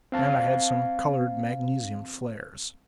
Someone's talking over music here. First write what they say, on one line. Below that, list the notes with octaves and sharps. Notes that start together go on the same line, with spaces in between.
And I had some colored magnesium flares.
C4 F5 A5